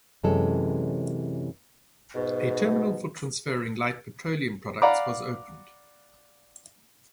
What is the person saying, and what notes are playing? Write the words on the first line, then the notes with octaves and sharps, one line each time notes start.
A terminal for transferring light petroleum products was opened.
F#2 C3 E3 G#3 C#4 A4
G#2 B2
D5 F5 F#5 A#5 B5 D6